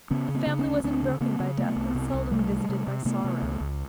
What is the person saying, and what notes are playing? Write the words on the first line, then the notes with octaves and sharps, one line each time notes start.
The family was unbroken by death, and seldom visited by sorrow.
C#3 B3 C#4
C#3
A#3 C4
C#3
B3 C#4
D2
D2 C4 D4
C#3
C#3 A#3 C4
C#3
C3 A3 B3
C2
C3
C2
C3 G3 A3
C3
C3
C3
C3 A3 B3
C3
C#2
C#2